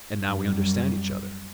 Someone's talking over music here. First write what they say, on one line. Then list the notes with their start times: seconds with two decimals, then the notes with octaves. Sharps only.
"And now we understand each other."
0.22 F#2 G3